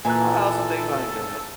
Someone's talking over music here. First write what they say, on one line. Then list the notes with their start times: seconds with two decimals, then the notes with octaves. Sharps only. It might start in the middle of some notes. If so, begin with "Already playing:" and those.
I also think, like, uh,
0.05 A#2 E3 A4 G#5 A#5 C#6 F#6